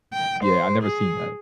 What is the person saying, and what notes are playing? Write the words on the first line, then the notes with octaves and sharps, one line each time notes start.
yeah, I've never seen that.
G5
C5
G#4